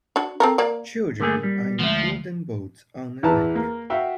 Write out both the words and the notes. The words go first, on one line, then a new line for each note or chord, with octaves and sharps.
Children are in wooden boats on a lake.
D4 F#4
C4 A4 A#4
A#3 D5
D3 A3 A#3 G#4 A#4
G3
D2 F3 G#3 E5
E2 E3 B4 A5 A#5
A#3
F#4 E5 F5 G5